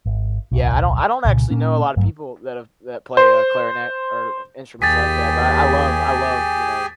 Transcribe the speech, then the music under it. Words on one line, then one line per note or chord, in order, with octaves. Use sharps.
Yeah, I don't I don't actually know a lot of people that have that play, uh, clarinet or instruments like that, but I I love I love, you know,
G#1
D1 B1
C2 A#2 C#3
A#2 A#3 C#4
G#1 G2 F#3 A3
C5
D#2 G4 G#4 G#5 A6 B6